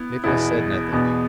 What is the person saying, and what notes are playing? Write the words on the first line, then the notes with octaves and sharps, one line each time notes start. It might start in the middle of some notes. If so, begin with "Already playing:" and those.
Nicholas said nothing.
Already playing: B3 E4
E2 B2 B3 E4
E2 B2 B3